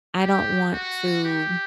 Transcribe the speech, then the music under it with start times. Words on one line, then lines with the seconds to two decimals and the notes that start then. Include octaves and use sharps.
I don't want to
0.19 G4
0.72 F#4
1.24 G4